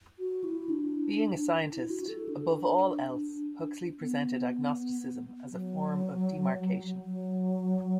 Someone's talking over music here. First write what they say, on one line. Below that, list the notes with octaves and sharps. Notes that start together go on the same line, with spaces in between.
Being a scientist, above all else, Huxley presented agnosticism as a form of demarcation.
F#4
E4
D4
E4
F#4
A4
D4
D4
B3
F#3
F#3